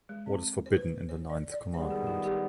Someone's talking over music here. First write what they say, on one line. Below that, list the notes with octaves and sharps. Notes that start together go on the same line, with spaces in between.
What is forbidden in the ninth commandment?
G#3
C4
C5
B4
C5
D5
D5
G2 D#3 G#3 B3 D4 C5
G#4
F4
G4